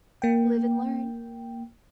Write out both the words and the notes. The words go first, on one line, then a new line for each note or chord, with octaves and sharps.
Live and learn.
A#3 G5